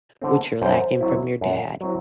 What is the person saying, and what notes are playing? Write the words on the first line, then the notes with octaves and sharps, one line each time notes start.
what you're lacking from your dad."
D3 A3 C4
F#2 C5
F#3 C4 E4
F#2
F#3 C4 E4